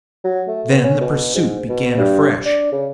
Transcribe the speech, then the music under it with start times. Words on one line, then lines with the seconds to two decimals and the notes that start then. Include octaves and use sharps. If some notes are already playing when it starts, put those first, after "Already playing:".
Then the pursuit began afresh.
0.24 F#3
0.47 A3
0.69 B3
0.84 C#4
1.00 B2
1.35 G#2
1.69 B2
1.97 G2
2.45 D4
2.72 C#3